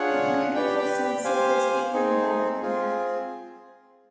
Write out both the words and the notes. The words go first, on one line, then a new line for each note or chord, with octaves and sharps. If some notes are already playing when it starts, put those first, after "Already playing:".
Beautiful sunset this evening by the canal.
Already playing: D4 F4 G#4 C#5 F#5
G4 B4 D5 G5
G4 C5 F5 G#5
C4 D#4 G#4
C4 F4 G#4